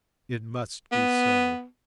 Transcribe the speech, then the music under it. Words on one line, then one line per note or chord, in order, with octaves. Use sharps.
It must be so.
B3